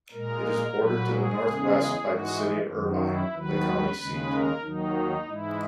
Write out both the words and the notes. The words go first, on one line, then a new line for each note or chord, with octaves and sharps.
It is bordered to the northwest by the city of Irvine, the county seat.
A#2 G#3 A#4
A#2 F#3 B4
G#4
E2 C#3 G#3
G#2 E3 G#3 F#4
F#2 D#3 F#3
E4
D#2 D#3 F#3 B4
D#2 C#3 G#3
A#4
D#2 D#3 F#3 D#4
G#2 E3 G#3 E4